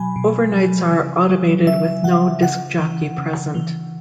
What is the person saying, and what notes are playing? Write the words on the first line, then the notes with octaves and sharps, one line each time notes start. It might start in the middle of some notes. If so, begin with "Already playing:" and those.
Overnights are automated with no disc jockey present.
Already playing: B2 F#3 G#5 B5
B2
F#3
C#3
F#3
C#3 E5
F#3 F#5
C#3 F#5
E3
C#3
E3